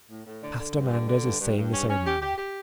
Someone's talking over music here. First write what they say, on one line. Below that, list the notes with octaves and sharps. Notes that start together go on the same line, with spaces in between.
Pastor Manders is saying the ceremony.
A2
A2
D3
D3
G2
D3
D3
G2
G2
G2
C#4
C#4
G4
G4
G4